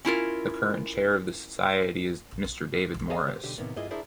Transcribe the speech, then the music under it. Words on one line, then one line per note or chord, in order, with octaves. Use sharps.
The current chair of the society is Mr David Morriss.
C#4 E4 F4 A#4
G#4 C#5 D#5 A5
G4 C5
B1 D3 G4
A2 C3 D#3 A#3 B3
G2 A#3 E4 F4 G#4 D#5
D4 E4 G#4 A#4 C5 D5